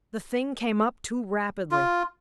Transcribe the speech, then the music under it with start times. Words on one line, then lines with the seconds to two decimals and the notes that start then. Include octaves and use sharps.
The thing came up too rapidly.
1.71 F4